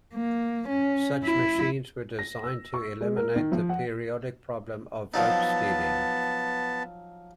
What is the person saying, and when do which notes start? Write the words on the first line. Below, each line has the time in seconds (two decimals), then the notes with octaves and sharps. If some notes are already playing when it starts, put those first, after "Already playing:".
Such machines were designed to eliminate the periodic problem of vote-stealing.
0.14 A#3
0.68 C#4
1.24 E4
2.19 A#6
2.43 E6
2.74 C#6
3.01 G#3
3.17 A#4
3.36 D#3
3.52 F3
3.69 F#5
5.14 F3 F#3 B3 D#4 A5